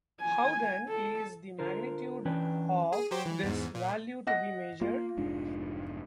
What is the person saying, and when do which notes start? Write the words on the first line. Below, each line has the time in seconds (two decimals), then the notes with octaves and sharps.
How, then, is the magnitude of this value to be measured?
0.21 G#5
0.89 A4
1.59 D3 F4 A#4 C5
2.25 E3 C#4 D4 B4 G5
2.93 G#4
3.11 F#3 G4 C5
3.25 E3
3.43 E2 G#2
3.75 A#2
4.27 D#5 F#5 A#6
4.81 A#3 F4
5.17 F1 G#2 D4